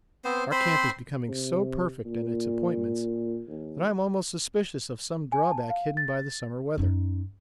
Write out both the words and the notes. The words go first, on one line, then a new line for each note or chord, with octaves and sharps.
Our camp is becoming so perfect in its appointments that I am almost suspicious of some drawback hidden by the summer weather.
B3 C4 C5
C4 C5 B5 C6
C3
A#2
D#2
G#5
A5
F5
A6
F#2 D#4